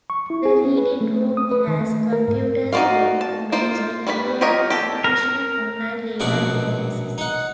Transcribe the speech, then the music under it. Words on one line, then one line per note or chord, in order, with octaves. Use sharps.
The reading room has computers linked to major Indian and international online legal databases.
C#6
E4
G#4
C#4
B4
A3
D#6
B4
D#3
A3
A#4
G#2
D#4 F#4 C5 D5 F5
A5
A#3 F4 C5
G3 B4 C#5 B5
F4 G4 A#4 C#5 D#5
G4 A4
A#4
A#1 F#2 B2 F#4 D5
D#4 F#5